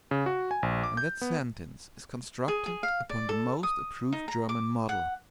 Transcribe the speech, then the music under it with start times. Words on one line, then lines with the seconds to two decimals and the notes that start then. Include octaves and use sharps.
And that sentence is constructed upon the most approved German model.
0.11 C#3
0.26 F#4
0.51 G#5
0.63 A#1
0.84 D6
0.97 G6
1.21 B3
2.48 G#4
2.66 G#4
2.83 F5
3.10 D5
3.29 A4
3.63 D#6
4.12 D#4
4.28 A#5
4.49 D6
4.89 F#5